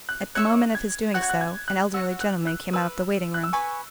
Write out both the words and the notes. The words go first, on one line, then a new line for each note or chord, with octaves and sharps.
At the moment of his doing so, an elderly gentleman came out of the waiting-room.
F#6
C#5 E5 C#6 F#6
G#6
F#4 C#5 F#5 F#6
G#6
F#6
G#6
F#6
F#4 C#5 F#5 E6
F#6
F#6
B4 G#5 B5 E6
F#6
E6
B4 G#5 B5 C#6